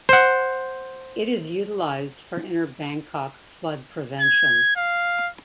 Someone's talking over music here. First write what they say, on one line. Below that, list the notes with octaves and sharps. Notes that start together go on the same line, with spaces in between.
It is utilized for inner Bangkok flood prevention.
C5 F#5
G#6
F5